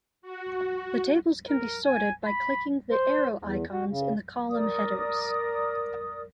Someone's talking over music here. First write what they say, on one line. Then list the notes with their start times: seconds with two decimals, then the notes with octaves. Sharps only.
The tables can be sorted by clicking the arrow icons in the column headers.
0.22 F#4
1.48 A#4
1.85 G#5
2.25 B5
2.92 C5
3.42 E2
3.73 F#4
3.90 C#3
4.51 A#4 D5 D#6